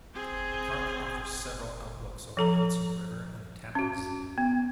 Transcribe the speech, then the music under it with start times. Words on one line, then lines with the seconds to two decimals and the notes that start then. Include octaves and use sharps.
The park offers several outlooks over the Hudson River and the Tappan Zee.
0.14 C4 G#4
2.37 F3 A4 A#5
3.75 C#4 F#4
4.38 B3